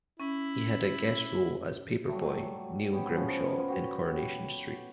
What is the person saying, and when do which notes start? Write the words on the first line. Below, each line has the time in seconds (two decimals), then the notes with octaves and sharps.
He had a guest role as paperboy Neil Grimshaw in "Coronation Street".
0.20 C#4 E4
2.09 F#3 G3 A3
2.92 B3 C#4 G4
3.16 F3 C#4
3.56 B4 C6
3.68 F#4 G4 C#5
4.15 B3 G4